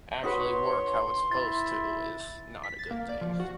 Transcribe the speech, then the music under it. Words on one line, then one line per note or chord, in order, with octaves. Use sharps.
actually work how it's supposed to is not a good thing.
D#4 F#4 B4 C#5 C6
E4 A6
B6
A6
A#3
D5
F3
F#4